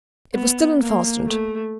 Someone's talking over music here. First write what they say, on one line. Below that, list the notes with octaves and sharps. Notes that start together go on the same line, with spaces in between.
It was still unfastened.
B3
A#3
A3